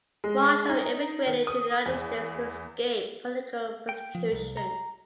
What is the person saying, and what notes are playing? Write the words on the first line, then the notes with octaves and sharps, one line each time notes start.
Marshall emigrated to the United States to escape political persecution.
G#3
D#4
D#3
D#6
E2
G5
F3
C2
A#5